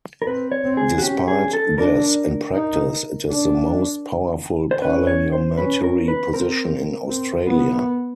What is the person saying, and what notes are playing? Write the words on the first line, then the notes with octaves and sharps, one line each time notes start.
Despite this, in practice it is the most powerful parliamentary position in Australia.
A#4
C4 B4
C#5
C4
G#4
F#4
C#4 G4
G#4
A4
D4 A#4
D#4
D4
C5
C#4 B4
C#5
C5
C#4 B4
A#4
B4
C4 A#4
C4
B3